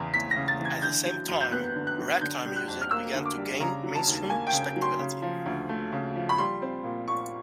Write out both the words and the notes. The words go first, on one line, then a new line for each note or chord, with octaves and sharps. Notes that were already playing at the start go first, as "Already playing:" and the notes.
At the same time, ragtime music began to gain mainstream respectability.
Already playing: E2 C#3 E3
E2 B6
A#6
C#3
A6
E3
G#6
D3 G6
F#3
F#2
G6
B3 F#6
D3
F#6
F#3
D3 G6
G3
F#6
F2
F6
A#3 E6
D3
D6
G3
C#3 A#5
F#3
A5
D#2
A#3 G#5
G5
C#3
F#3
C6
C#3
F3
D2
A3
C#3
F3
B5
G3 C6
C4
A#2
A#2 C#6